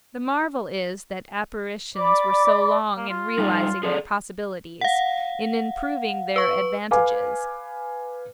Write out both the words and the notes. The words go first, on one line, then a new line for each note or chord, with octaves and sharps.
The marvel is that apparitions were so long in realizing their possibilities, in improving their advantages.
D5 B5 D6
A#3
F4
G3 D#4
F3 G#4 A4 D5
F5 F#5
B4 C#6
B4 F5 G#5 D6